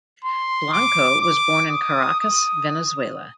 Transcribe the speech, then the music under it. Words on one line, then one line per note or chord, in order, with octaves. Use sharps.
Blanco was born in Caracas, Venezuela.
C6
D6
D6
D#6
D#6
D#6